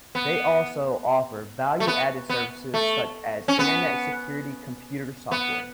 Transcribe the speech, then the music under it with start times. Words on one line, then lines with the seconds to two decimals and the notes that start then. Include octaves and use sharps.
They also offer value-added services such as Internet security computer software.
0.15 B3
1.80 A3
1.87 B3
2.29 B3
2.74 A3
3.48 C#4
3.59 B3
5.32 B3